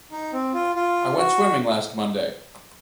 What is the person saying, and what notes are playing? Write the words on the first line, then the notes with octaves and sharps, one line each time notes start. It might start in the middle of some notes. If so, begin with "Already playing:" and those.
I went swimming last Monday.
D#4
C4
F4
F4
F#4